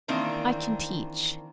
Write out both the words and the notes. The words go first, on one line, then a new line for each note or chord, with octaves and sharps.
I can teach.
D#3 E3 A#3 C4 D4